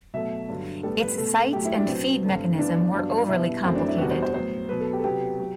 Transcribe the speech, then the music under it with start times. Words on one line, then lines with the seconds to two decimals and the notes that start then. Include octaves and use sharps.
Its sights and feed mechanism were overly complicated.
0.14 B2 F#3 A3 E5
0.49 G2 D3 F#3
0.83 A2 G3 B3 A4
1.01 B4
1.18 B2 A3 A4
1.53 A2 F#3 A3 G4
1.65 E4
1.77 D4
1.88 B2 F#3 B3 C4
2.23 G2 D3 A3
2.59 G2 E3 B3 D4
2.93 G2 F#3 B3
3.28 B2 G3 B3 E4
3.64 F#2 F#3 A3 C4
3.75 D4
3.88 E4
3.98 E2 B2 G3 B3 F#4
4.11 C5
4.22 C5
4.34 A2 F#3 B3 C5
4.69 B2 F#3 B3 B4
4.81 A4
4.93 G4
4.99 A4
5.04 C3 F#3 B3 G4
5.40 F#3